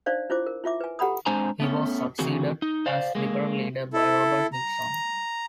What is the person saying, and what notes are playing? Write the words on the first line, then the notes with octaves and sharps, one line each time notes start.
He was succeeded as Liberal leader by Robert Nixon.
D4 D#4 C5 D5 F5
D4 E4 F4 C5 D6
A#4
E4 F4 E5 D6
B4 G#5
G4 A4 F#5 A#5 B5 D#6
G#3 C4 D4 C5 G#5 A#5
A3 B3 C#4
C#3 E3 A3 C4 F#4 G#4
D#4
C5 D5 F5
G#3 A#3
E4 A4
A#5